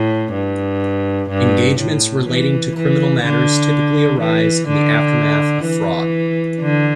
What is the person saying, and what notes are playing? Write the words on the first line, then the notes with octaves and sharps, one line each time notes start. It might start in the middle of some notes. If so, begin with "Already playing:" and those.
Engagements relating to criminal matters typically arise in the aftermath of fraud.
Already playing: A2
G2
G2
A2
E3
E3
D3
E3
D3
E3
D3